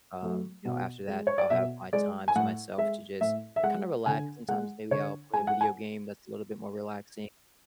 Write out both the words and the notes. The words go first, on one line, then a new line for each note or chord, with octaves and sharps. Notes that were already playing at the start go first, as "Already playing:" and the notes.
um, you know, after that I'll have my time to myself to just kinda relax, sometimes, maybe I'll play a video game that's a little bit more relaxing,
F#3 A3
B2
G#3
C#5
D5
B2 E5
G#3 D5
G#5
A2 F#5
G#3 E5
A2 E5
E5
G#3 F#5
D3 G#5
G#3 F#5
D3 C#5
G#3 G#5
F#5
G#5